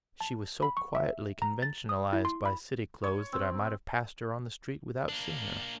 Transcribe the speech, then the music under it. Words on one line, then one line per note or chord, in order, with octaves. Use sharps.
She was so quietly conventionalized by city clothes that I might have passed her on the street without seeing her.
A5
B5
C#6
E5
A#5
A6
D#6
E4
C6
B5
C#5
C4
A#3 D4